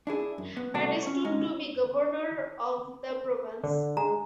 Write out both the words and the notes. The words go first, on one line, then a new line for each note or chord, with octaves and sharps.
Patti stood to be governor of the Province.
D4 E4 G#4
F#2
B3
C2 B2 A3 C#4 F#4 D5
C#4 C#5
G#3 C#4 D#4
D3
G#3 A#5